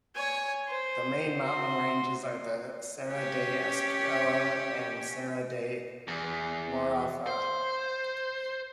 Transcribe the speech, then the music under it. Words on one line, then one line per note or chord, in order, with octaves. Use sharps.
The main mountain ranges are the Serra da Estrela and Serra da Marofa.
C#5 G#5
C5
F#4 C6
C#4 G4
E2
C5